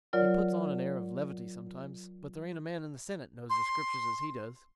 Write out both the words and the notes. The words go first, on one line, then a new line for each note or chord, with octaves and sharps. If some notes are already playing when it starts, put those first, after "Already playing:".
He puts on an air of levity sometimes, but there aint a man in the senate knows the scriptures as he does.
F#3 F4 A#4 C#5 D5
C6